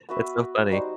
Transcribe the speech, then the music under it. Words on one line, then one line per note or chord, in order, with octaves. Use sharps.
That's so funny.
B3 F#4 B4 E5
G3 D#4 F#4 C5